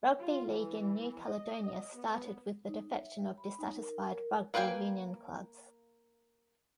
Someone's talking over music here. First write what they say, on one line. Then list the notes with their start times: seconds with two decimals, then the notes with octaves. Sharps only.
Rugby League in New Caledonia started with the defection of dissatisfied rugby union clubs.
0.19 F4
0.51 E3
1.25 D#5
1.94 B3
2.68 D#4
2.94 E5
3.38 B5
3.59 D#4
3.77 A#4
4.11 A#4
4.54 A#3 B4 F5 G5 G#5